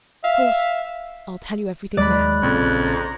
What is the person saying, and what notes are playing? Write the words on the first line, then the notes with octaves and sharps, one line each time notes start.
Of course I'll tell you everything now.
E5 F5
D#2 F#3 G#3 D5 B5 F#6
A#1 F2 C#3 C4
A#5